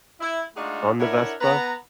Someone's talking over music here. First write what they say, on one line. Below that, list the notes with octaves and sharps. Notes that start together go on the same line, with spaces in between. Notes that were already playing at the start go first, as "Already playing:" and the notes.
on the Vespa,
E4
G#3 A3 D4 D#4 F4 F#4
D4 E4 A#4 C#5 E5 F#5
B3 B4 A#5